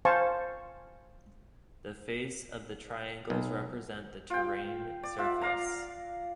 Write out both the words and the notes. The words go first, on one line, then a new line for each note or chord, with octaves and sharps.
The face of the triangles represent the terrain surface.
C5 F5 G#5 A5 C#6
B1
F4 G5
D5
F4 E5 F#5
D5 F5 A#5